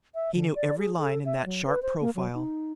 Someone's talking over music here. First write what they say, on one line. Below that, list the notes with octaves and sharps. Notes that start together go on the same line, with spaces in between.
He knew every line in that sharp profile.
E5
D3
D5
G#4
A4
E5
F#3
B4
C5
A#3
F#3
D#4